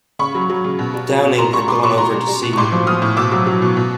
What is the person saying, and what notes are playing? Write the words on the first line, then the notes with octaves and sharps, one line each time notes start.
Downing had gone over to see you.
C#3 B5 C#6
F#3
F#3
C#3
B2
G3
G3
B2
B2 A#5 C6
G3 B5 C#6
G3 C6 D6
B2 B5 C#6
B2 A#5 C6
G3
G3
B2
C#6
A2 C6 D6
F3
F3 D#6 F6
A2
B2 D6 E6
F#3
F#3
B2
B2